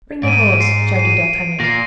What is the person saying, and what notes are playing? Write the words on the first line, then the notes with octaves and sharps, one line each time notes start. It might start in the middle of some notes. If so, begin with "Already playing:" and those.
"Bring the horse!" shouted D'Artagnan.
G#2 D7 D#7
C7
C7 D#7
A#2 A#6 C7